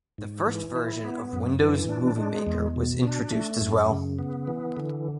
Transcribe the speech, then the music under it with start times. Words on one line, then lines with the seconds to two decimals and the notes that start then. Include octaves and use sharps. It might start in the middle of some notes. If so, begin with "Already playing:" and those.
The first version of Windows Movie Maker was introduced as well.
0.18 G#2
0.46 E3
0.76 E4
1.04 B3
1.33 F#2
1.61 E3
1.89 D4
2.18 G#3
2.47 E2
2.76 B2
3.05 D4
3.32 A3
3.61 F#2
3.90 C#3
4.19 B3
4.47 E3
4.77 D3